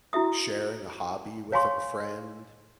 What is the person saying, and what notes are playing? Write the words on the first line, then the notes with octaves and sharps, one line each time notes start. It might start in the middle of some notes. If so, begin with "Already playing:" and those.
sharing a hobby with a friend
E4 F#4 E5 D#6
C#5 F5 G#5 C6 C#6